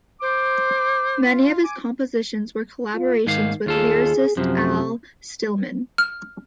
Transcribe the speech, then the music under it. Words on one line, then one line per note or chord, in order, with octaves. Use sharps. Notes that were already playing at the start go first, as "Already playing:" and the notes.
Many of his compositions were collaborations with lyricist Al Stillman.
C5 D6
F4
G#5 D6
F4
G#2 D#3 F5
D#2 F4 G#4 A4
F#2 C3 F3
F6